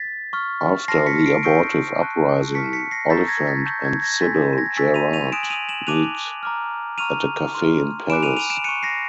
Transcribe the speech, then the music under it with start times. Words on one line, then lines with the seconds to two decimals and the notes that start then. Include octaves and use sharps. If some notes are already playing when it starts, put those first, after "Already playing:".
After the abortive uprising, Oliphant and Sybil Gerard meet at a cafe in Paris.
Already playing: A6 B6
0.33 C#6 F6
0.88 A5 C6 F6 A#6 C7
1.06 B6 C#7
1.26 C7 D7
1.43 C#6 E6 G6 C7 D7
1.99 A5 C#6 F#6
2.54 A5 C#6 F6 B6 C#7
2.73 B6 C#7
2.91 A#6 C7
3.10 A#5 C#6 E6 G6 A6 B6
3.28 G#6 A#6
3.47 A6 B6
3.66 A5 C#6 E6 G6
3.85 G#6
4.02 G#6 A#6
4.21 G#5 C6 E6 G6 A6 B6
4.58 G#6 A#6
4.77 G#5 C#6 E6 A6 B6
4.94 D#7 F7
5.13 D#7 F7
5.32 G#5 C6 D#6 F#6 D7 E7
5.43 F#7
5.50 D#7 F7
5.69 E7 F#7
5.87 A5 D6 F#6 D#7 F7
6.43 A#5 D6 F6
6.98 A#5 C#6 F6 D#7 F7
7.54 C6 F6
8.09 G#5 B5 D6 F#6 D7 E7
8.23 D#7 F7
8.36 D#7 F7
8.50 D7 E7
8.64 C#6 F#6 C#7 D#7
8.83 A#6 C7